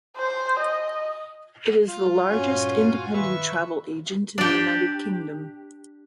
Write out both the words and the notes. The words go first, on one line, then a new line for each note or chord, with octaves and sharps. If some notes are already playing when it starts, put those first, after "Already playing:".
It is the largest independent travel agent in the United Kingdom.
C5
D#5
G3 F4
G2 A#2 C#4 F#4 G#5
D#3 B4 E5 C#6
D4 G4